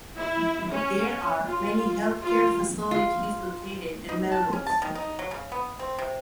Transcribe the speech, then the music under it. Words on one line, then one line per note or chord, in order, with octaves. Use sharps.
There are many health care facilities located in Melrose.
E4
C#4
F4
F4
F4
D#4
A5
C#4
A5
D#3
D#4
F#3
C#3
B3
C4
C3